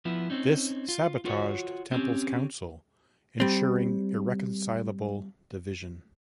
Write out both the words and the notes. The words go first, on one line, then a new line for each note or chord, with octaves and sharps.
This sabotaged Temple's Council, ensuring irreconcilable division.
F3 B3 E4
C4 C#4 D#4
F4
F4 F#4 C5 C#5
C4 C#4 G4
G3 C4